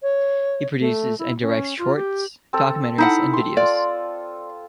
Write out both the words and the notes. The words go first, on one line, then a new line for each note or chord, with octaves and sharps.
He produces and directs shorts, documentaries and videos.
C#5
A3
E4
C#4
F4
G4
C4 A4
D#4 E4 A4 F#5 A5
C6
F4 D5